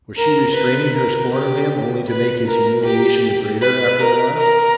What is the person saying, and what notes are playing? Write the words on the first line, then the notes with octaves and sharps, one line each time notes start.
Was she restraining her scorn of him only to make his humiliation the greater after a while?
A#4
B4
A#4
G4
B4
A#4
G4
B4
A#4
A#4